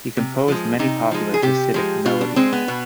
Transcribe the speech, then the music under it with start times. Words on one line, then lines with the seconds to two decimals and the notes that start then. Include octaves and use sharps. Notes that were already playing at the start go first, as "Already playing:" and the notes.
He composed many popular Hasidic melodies.
0.17 C3
0.48 F3 G#3
0.79 C3 D#4
1.11 F3 G#3
1.34 G#4
1.42 C3 G4
1.74 F3 G#3
2.05 B2 F4
2.21 D4
2.36 G#3 C4
2.53 B3
2.68 B2